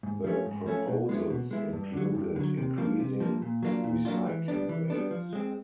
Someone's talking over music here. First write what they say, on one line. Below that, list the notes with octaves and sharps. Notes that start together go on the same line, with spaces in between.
The proposals included increasing recycling rates.
G#2
F3 A3 C#4
G#2
F3 A3 C#4
B2
G#3 B3 E4
B2
G#3 B3 E4
G2
D3 F#3
G2
D3 F#3
C3
F3 A#3
C3
F3 A#3
A#2
F#3 A#3 D4 F4
A#2
F#3 A#3 D4 F4
E3
G3 B3 D4
E3
G3 B3 D4
F3
G#3 C4